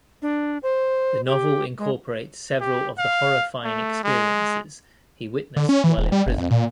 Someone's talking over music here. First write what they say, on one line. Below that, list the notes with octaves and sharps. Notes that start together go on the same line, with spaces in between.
The novel incorporates several of the horrifying experiences he witnessed while in prison.
D4
C5
G4
G#3
G4
F5
A3
G#3
D3
C#4
E3
D#1
G3
F#1
F2
A#2